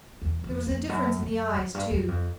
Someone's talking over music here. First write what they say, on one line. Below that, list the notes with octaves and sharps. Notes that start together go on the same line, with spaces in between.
There was a difference in the eyes, too.
E2
F2
F2
F#2
F#2
F#2
G2
F#2
F2